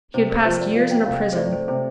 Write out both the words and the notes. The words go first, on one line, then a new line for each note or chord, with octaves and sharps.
He had passed years in a prison.
C3 C5
A#4
F3 C5
D5
F3 F5
G5
C3 F5
D#5
C5
A3 D5
C5
C3 C5